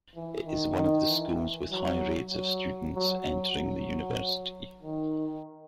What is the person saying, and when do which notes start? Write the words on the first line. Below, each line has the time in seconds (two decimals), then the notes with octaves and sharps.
It is one of the schools with high rates of students entering the university.
0.15 E3
0.46 D#3
0.76 D#3
1.08 E3
1.71 F#3
2.33 F#3
2.95 F#3
3.26 F#3
3.57 F#3
4.82 D#3